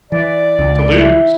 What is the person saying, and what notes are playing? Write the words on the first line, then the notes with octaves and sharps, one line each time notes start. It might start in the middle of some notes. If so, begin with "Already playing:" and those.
to lose.
E3 D5
C#2
E4